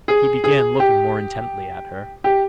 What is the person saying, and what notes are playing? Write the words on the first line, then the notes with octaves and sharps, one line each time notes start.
He began looking more intently at her.
G#4
G#4
G4
G4